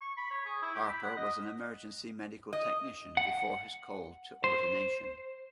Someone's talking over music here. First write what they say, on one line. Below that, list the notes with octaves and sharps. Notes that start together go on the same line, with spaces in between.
Harper was an Emergency medical technician before his call to ordination.
C#6
B5
C#5
G#4
E4
G4
B5
F#5
D#5
D#5
F#5
C5